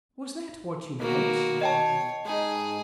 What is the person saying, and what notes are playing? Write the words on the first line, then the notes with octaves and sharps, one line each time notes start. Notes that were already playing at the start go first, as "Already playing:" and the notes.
"Was that what you meant?"
B2 D#3 A#3 F#4
C#5 D#5 G5 A5
G#3 D#4 G#4